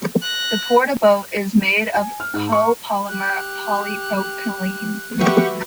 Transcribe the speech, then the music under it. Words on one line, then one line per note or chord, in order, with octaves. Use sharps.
The Porta-Bote is made of copolymer polypropylene.
F#6 A#6
G#5
F6
G#2
C#6
G4 F#6
F#4 G4 B4 E5 F#5 C#6